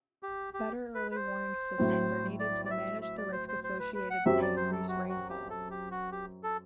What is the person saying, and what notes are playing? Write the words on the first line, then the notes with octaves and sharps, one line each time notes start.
Better early warning systems are needed to manage the risk associated with increased rainfall.
G4
G4
B4
B4
C5
A2 F#3 C4
D5
D5
E5
E5
D5
C5
C5
C5
B4
B4
F#5
F#2 F#3 C4 G4 E5
D5
C5
A4
F#4
F#4
G4
A4
G4
F#4
G4
A4